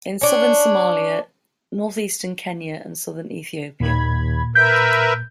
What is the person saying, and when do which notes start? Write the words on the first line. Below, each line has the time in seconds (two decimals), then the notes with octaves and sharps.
In Southern Somalia, North Eastern Kenya and Southern Ethiopia.
0.21 C#4 D4
3.80 D#2 A#2 B5 G#6
4.55 A#4 B4 E5 G6 B6 D7